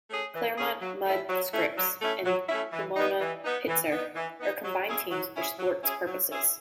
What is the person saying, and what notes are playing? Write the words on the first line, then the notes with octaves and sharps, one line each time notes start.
Claremont-Mudd-Scripps and Pomona-Pitzer are combined teams for sports purposes.
A3 C#4 G#4
E3
A3 C#4 G#4
F#3
A3 C#4 E4
F#3
A3 C#4 E4
F#3
A3 C#4 E4
F#3
A3 C#4 E4
E3
B3 D#4
E3
B3 D#4
E3
B3 D#4
E3
B3 D#4
F#3
C#4 E4 G#4
F#3
C#4 E4 G#4
F#3
C#4 E4 G#4
F#3
C#4 E4 G#4